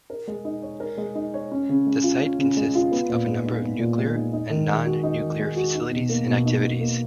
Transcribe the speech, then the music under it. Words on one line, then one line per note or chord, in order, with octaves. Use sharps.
The site consists of a number of nuclear and non-nuclear facilities and activities.
A#4
G#3
D#4
C#5
A#4
G#3
D#4
C#5
C#4
C#3
G#3
F4
C#4
C#3
G#3
F4
B3
A#2
G#3
D#4
B3
A#2
G#3
D#4
D#4
D#3
G#3
F#4
D#4
D#3
G#3
F#4
D#4
B2
A#3
B2
D#4
B2
A#3